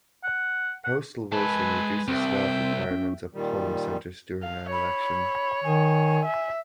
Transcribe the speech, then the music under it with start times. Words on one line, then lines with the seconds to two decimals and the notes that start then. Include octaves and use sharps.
Postal voting reduces staff requirements at polling centers during an election.
0.24 F#5
0.84 F#5
1.32 G#3 B4 G#5 A5
2.08 C2 C4 E5 G5
2.91 C#4
3.34 A#2 D#3 G3
4.43 F5
4.72 C#5 B5
5.64 D#3 G#5
6.26 E5